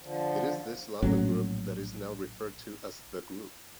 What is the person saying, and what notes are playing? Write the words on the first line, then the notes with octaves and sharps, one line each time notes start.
It is this London group that is now referred to as "The Group".
D3 F3
A#1 A2 F#3 C#4